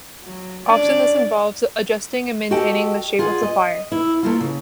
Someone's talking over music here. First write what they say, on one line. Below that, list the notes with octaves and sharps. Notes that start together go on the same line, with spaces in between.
Often this involves adjusting and maintaining the shape of the fire.
F#3
C#4 D4 D5
F#4 G4 A4 D#5 G5
F4 G#4 D5 F#5
D#5
E4
A3 A#3 F4
C#3